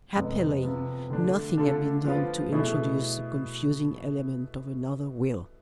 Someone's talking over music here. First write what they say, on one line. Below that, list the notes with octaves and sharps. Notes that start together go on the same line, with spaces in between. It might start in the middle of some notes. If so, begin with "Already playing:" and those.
Happily nothing had been done to introduce the confusing element of another will.
F2 C3 G#3 B3
C3 F3 B3
D3 A3 D4
D3 A3 D4 F4 A4
F3 B3 F4
B2 A3 E4 G#4